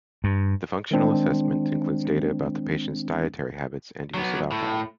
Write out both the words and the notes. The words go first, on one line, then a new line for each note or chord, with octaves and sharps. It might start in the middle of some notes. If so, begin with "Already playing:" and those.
The functional assessment includes data about the patient's dietary habits and use of alcohol.
G2
D#3 G#3 C4 D4
F#3 B3
A2